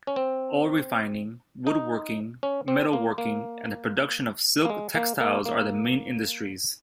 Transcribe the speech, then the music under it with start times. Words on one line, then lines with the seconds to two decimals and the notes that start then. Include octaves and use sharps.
Oil refining, woodworking, metalworking, and the production of silk textiles are the main industries.
0.07 C#4
0.16 C4
1.67 D#4
2.43 C#4
2.68 C4
2.93 A#3
3.18 A#3
4.65 A#3
4.70 G#3
4.95 A#3
5.21 A#3
5.46 A#3